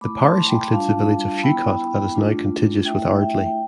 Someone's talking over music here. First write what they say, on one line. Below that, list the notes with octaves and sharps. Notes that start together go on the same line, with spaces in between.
The parish includes the village of Fewcott that is now contiguous with Ardley.
A3 E4 B5 D6
A5 C6
G5 B5
G3 D4 F4 F5 A5
B3 E4 G5 B5
A3 D4 F4
A3 E4 E5 G5
E5 G5
G5